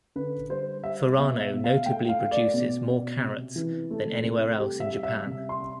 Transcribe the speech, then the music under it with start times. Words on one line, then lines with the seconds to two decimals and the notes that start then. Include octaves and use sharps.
Furano notably produces more carrots than anywhere else in Japan.
0.16 D3 B4
0.50 G3 C5
0.84 G3 E5
1.18 B2 E5
1.41 E5
1.53 B2
1.64 F5
1.86 A3 G5
2.09 F5
2.20 A3
2.31 D5
2.54 B2
2.88 B2
3.22 C3
3.56 E3
3.91 A3
4.24 C3
4.59 G3 G4
4.80 E5
4.92 G3
5.03 E5
5.26 C3
5.49 C6
5.61 C3